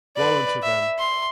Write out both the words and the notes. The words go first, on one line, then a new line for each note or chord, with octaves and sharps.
Woe unto them!
B4 D5
E5
C6